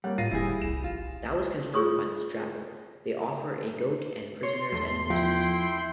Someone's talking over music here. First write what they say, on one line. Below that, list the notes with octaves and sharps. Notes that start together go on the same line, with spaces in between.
That was confirmed by Strabo: "They offer a goat and prisoners and horses".
G3 A#3 C#5 F#5
A2 F4 A#6 C7 D#7
F1 E3 G3 E4 G#4
C2 E7
A#1 F4
F4 G#4 C#6 D#6
C#5 C6
E2 A3
F3 E4 G5